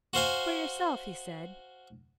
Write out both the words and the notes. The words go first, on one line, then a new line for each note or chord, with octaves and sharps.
'For yourself,' he said.
F#4 C5 F5 G#5